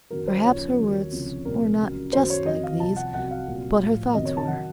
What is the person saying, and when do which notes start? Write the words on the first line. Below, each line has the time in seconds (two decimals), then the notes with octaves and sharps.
Perhaps her words were not just like these, but her thoughts were.
0.10 F#2 D#3 F#3 A#4
0.28 C5
0.44 D#2 C#3 F3 C#5
0.78 D#2 D#3 F#3
1.12 C#2 C3 F3
1.45 C2 A#2 F3 A#4
1.79 C#2 C#3 F#3
2.12 F#2 D#3 F#3 C5
2.30 C#5
2.46 F2 D#3 F#3 D#5
2.63 F5
2.80 C2 C3 F3 A5
2.96 F#5
3.14 C2 C3 F#3 F#5
3.31 F5
3.47 C2 A#2 F#3
3.81 A2 F3
4.14 F2 C3 D#3 F#3 D#5
4.25 C#5
4.37 A5
4.48 D#3 F#3 F#5